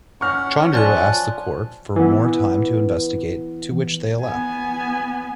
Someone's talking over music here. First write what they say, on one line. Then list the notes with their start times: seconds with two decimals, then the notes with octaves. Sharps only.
Chandru asks the court for more time to investigate to which they allow.
0.21 C#4 F#5 C#6 F6
0.73 F3 D5 G#5 F#6
1.96 E3 B3
4.22 B3 G#5